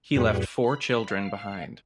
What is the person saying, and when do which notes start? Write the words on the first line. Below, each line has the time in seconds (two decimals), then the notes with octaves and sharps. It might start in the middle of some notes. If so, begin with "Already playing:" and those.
He left four children behind.
0.16 F2 A2 G3 F#4 G#4 B4
0.64 B5
1.09 F5